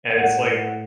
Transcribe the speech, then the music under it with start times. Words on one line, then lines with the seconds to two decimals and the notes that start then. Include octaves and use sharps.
And it's like,
0.17 A2 F#5